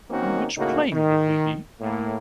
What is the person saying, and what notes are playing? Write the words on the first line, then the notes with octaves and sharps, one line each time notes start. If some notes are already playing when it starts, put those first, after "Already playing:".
On which plane will we be?
D#3 A#3 C4 C#4 D#4 F#4
A2 C#3 A#3 D#4 F#4
D#3
A2 A#3